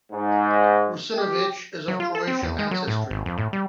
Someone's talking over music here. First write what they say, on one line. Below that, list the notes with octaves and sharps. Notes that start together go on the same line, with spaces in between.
Russinovich is of Croatian ancestry.
G#2
G4
F#3
F4
A4
C4
E2
G#3
F#3
A2
G#1
F2
A2
G3